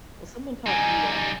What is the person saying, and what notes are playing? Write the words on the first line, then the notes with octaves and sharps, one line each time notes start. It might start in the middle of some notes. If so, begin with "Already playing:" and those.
Well, someone taught you well.
G3 D#4 G#5